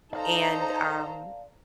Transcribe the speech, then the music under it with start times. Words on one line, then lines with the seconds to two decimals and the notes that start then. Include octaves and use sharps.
and, um,
0.13 D#4 A4 C5 D5 F5 A5 A#5